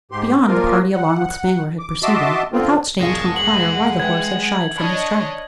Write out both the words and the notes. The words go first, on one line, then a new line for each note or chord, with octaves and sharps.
Beyond the party along with Spangler had proceeded--without staying to inquire why the horse had shied from his track.
G#2 G4 C6
A#2 F3 A#3 F4 A#4
F#5
D6
F#4 D#5 E5 A5 C6 D6
D3 C4 F4
E1 G#2 G#3 F5 A5 C#6
F#5 F#7
B4 E5 G5 G#6
D4 C#5 D#5 B5